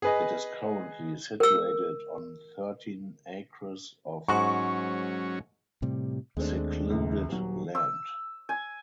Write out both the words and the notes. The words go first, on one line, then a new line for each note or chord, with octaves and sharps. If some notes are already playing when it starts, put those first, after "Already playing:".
It is currently situated on thirteen acres of secluded land.
G#4 B4 D#5
A#4 E6
G#2 F#3 C#4 F#4 C#6
A2 C3 G3
D#2 G#3 A3 C4 D4
C#2 F#2
D#1 F#3
E6
G#5